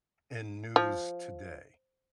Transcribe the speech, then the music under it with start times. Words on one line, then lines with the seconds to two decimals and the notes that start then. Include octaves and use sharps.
in news today?
0.76 F3